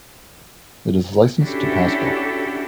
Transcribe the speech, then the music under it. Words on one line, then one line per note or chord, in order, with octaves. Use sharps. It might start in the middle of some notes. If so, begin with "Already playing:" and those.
It is licensed to Pasco.
C#4 D4 E4 F#4 G4 A4